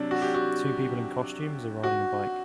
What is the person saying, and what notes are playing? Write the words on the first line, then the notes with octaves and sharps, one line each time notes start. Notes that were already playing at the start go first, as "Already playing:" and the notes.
Two people in costumes are riding a bike.
Already playing: C3 F#3 D4
F#4
G4
F#4
F#4